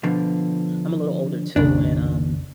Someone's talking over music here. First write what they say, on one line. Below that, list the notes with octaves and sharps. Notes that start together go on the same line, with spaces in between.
I'm a little older, too, and, um,
B2 D3 F3
F1 A#1 D#2 C#3 D4